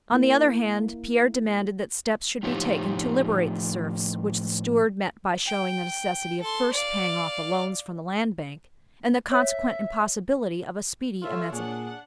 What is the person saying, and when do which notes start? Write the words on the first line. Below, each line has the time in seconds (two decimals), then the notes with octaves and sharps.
On the other hand, Pierre demanded that steps should be taken to liberate the serfs, which the steward met by showing the necessity of first paying off the loans from the Land Bank, and the consequent impossibility of a speedy emancipation.
0.12 A#3 E4
2.43 A2 F3 D#4 F4 G4 C#5
5.46 G5
6.41 A4 C6
6.73 D5 F5
9.32 C#5 E5
11.22 F4 A4 C#5 E5
11.52 A#2 D4 G#4 F#5